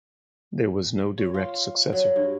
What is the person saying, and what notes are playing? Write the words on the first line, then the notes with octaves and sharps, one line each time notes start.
There was no direct successor.
C#5
F4
F#3
G2